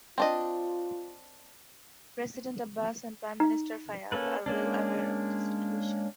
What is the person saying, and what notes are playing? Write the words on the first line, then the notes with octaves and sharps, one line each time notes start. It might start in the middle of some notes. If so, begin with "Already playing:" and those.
President Abbas and Prime Minister Fayyad are well aware of the situation.
C4 D4 F4 D#5
D#4
A#3 C#4 A4 B4
G#3 A#3 C#4 D4